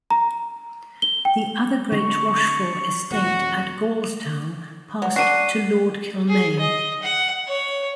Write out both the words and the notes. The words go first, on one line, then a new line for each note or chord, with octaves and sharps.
The other great Rochfort estate at Gaulstown passed to Lord Kilmaine.
A#5
G7
G5
D3 F#3 C4 C#6
D#1 F#4
F#3
D4 F#4 C7 D#7
G#4
D#5
F#5
C#5